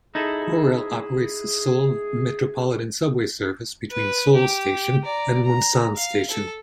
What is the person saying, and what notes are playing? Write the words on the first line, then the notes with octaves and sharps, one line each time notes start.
Korail operates the Seoul Metropolitan Subway service between Seoul Station and Munsan Station.
D#4 E4 G#4 A4
B4
G4
D5 A#5
A#5
F5
A4